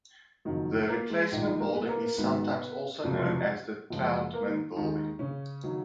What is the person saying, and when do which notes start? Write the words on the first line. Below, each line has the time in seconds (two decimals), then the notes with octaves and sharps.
The replacement building is sometimes also known as the Trautman Building.
0.45 F#1 F2 D#3 F#3
0.88 A#3 A#4
1.10 G#3 G#4
1.32 A#1 A#2 D#3 G#3 D#4
1.45 D#3 D#4
1.60 A#3 A#4
1.74 B3 B4
1.88 A#3 A#4
2.03 A#3 A#4
2.17 G#1 G#2 D#3 F#3 B3 B4
3.04 F1 F2 C#3 F#3 F#4
3.18 F3 F4
3.33 F#3 F#4
3.90 F#1 F#2 F3 G#3
4.33 A#3 A#4
4.47 D#3 D#4
4.76 D#2 D#3 G#3 D#4
5.19 C#3 C#4
5.64 D#3 F#3